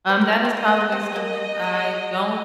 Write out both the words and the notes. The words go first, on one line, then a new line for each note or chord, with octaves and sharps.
Um, that is probably something I don't
C5
A#4
F4
C4
A#3 D#5
A#3
A#3
C4 D#5
G#3
A#3
G#3